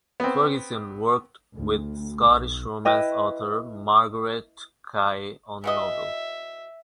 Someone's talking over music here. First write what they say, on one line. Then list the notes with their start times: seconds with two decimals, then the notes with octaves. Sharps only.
Ferguson worked with Scottish romance author Marguerite Kaye on the novel.
0.20 B3 C4
1.55 D2
2.31 B1
2.85 E4 B4 D#5 G5
5.64 E3 F#4 D#5 E5